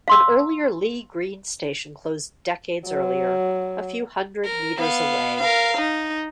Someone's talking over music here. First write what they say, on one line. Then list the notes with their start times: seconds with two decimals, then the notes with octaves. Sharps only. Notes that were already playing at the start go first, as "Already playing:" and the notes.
An earlier Lea Green station closed decades earlier, a few hundred metres away.
0.08 F5 C6 E6
2.88 F#3
4.45 A#4
4.78 B3 F5
5.40 A#4 F5
5.78 D#4